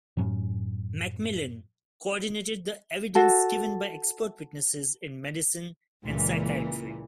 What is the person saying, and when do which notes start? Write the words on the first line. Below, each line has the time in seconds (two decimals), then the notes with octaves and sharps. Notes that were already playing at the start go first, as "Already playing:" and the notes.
Macmillan, coordinated the evidence given by expert witnesses in medicine and psychiatry.
0.17 F#2 A2 F#3 C#4
3.15 F#4 A4
6.05 C#2 A#2 E3